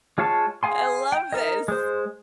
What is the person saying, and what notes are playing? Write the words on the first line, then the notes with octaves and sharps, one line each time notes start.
I love this.
G#3 F4 C#5 F5 A5
G#4 F5 G#5 C6
G5
D#4 A#4 D#5
G#3 C5